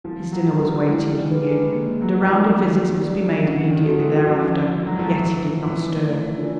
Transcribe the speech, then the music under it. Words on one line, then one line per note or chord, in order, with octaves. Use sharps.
His dinner was waiting, he knew, and a round of visits must be made immediately thereafter, yet he did not stir.
F3 E4
F#3
G#4 B4
G3
G#3
G3 E4
G#3
G#4 B4
G#3
G#3 A#3
F#3
D4 G4 A#4 D5
E3
F3
D#3 A#3
D4 G4 A#4 D5
D3 C#4
D#3
F#4 A4
E3
F3 C#4
F#4 A4
F#3
F3
E3 A3
D4 F4 A#4 C#5
E3
A3
D4 F4 A#4 C#5